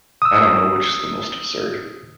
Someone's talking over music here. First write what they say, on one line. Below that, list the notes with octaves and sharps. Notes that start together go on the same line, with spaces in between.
I don't know which is the most absurd.
D#6 E6